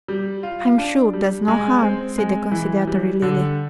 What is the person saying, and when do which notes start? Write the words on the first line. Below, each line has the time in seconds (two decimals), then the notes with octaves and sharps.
"I'm sure there's no harm," said the conciliatory Lily.
0.08 G3
0.43 F4
0.78 D4
1.13 G3
1.48 G#3
1.82 C4
2.18 G#3
2.51 E3
2.87 G3
3.22 D3